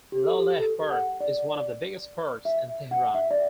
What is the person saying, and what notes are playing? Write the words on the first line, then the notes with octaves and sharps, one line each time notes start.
Laleh Park is one of the biggest parks in Tehran.
G4
A4
G4
A4
F#5
D5
E5
F#5
E5
D5